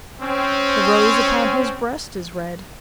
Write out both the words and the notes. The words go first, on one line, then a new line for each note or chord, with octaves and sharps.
The rose upon his breast is red.
C4 C#4